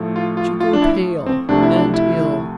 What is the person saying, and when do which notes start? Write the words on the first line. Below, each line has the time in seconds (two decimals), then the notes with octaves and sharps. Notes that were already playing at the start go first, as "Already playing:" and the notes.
She grew pale and ill.
Already playing: A2 F3 A3
0.16 F4
0.37 F4
0.60 F4
0.73 D4
0.82 E4
1.26 C4
1.49 C2 C3 F3 A3 D4
1.63 E4
1.76 D4
1.94 E4